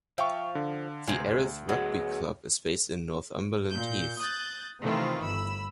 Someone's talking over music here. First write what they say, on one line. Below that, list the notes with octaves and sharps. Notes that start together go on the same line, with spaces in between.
The Erith Rugby Club is based in Northumberland Heath.
F3 E5 F5 G5 C#6
D3
D2 C3 G#3
F#3 B3 G#4 D#5
A#2 G6
D#6 F#6 G6 A6
C3 D#3 E3 A3 C4 F4
G1 B5 E6